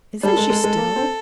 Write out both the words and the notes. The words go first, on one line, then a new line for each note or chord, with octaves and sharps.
"Isn't she still?"
G3 A4
G#3
G#3
G#3
A#3
C4